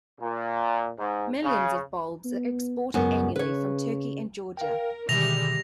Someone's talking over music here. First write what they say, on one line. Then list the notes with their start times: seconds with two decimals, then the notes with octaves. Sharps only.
Millions of bulbs are exported annually from Turkey and Georgia.
0.20 A#2
0.99 G#2
1.43 C#3
2.25 B3
2.94 C#2 F#2 B3
3.36 C#3 B4 C#5
4.57 A#4 F5 G5
5.09 B2 D3 D#3 G3 G#3 E5 A#6 F7